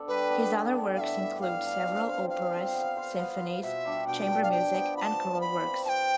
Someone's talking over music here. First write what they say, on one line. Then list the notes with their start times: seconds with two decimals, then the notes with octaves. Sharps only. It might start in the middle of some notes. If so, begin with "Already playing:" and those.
His other works include several operas, symphonies, chamber music, and choral works.
Already playing: B3 D4 A4
0.08 G3 B4
0.30 B3 D4
0.52 G3
0.75 B3 D4
0.96 A2 E5 F5
1.19 G3 D4
1.40 A2 F5
1.63 G3 D4
1.85 F3
2.07 C4 F4 C5
2.30 F3 F5
2.53 C4 F4 C5
2.74 B3
2.97 F4 C5
3.19 B3
3.40 F4 C5
3.62 B2 E5
3.85 G3 D4 G4
4.07 B2 G5
4.30 G3 D4 G4
4.43 F5
4.52 F3 G5
4.74 B3 F4
4.97 F3 B5
5.01 A5
5.19 B3 F4
5.41 F3 B5
5.64 C4 F4 B4
5.85 F3 G5 A5